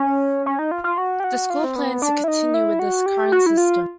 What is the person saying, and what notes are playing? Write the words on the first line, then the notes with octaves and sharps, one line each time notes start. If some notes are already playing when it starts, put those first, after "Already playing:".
The school plans to continue with this current system.
Already playing: C#4
C#4
D#4
F4
F4
F#4
G4
F#4
F4
C4
B3
D4
E4
D#4
E4
F#4
G4
F#4
E4
F4